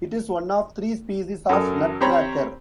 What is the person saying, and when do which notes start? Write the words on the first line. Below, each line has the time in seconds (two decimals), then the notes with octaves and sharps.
It is one of three species of nutcracker.
1.49 F#2 F#3 A4 A#4 D#6
2.01 C4 G4 C5 C#5 A#5 B5